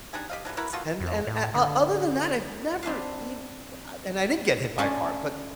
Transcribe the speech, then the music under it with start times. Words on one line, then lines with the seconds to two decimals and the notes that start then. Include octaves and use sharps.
S and and a o other than that, I've never ev uh I and I didn't get hit by a car, but,
0.13 D4 D#4 G4 G#4
0.30 G4 D#5 F5
0.45 D3 E3 F#3 D4
0.57 E4 F#4 A#4 B4
0.73 B2 F4 F#4 A4
1.01 F2
1.27 A2
1.54 D3
2.83 C4 D4 B4 F5
4.78 A3 C#4 D4 F4 D5 D#5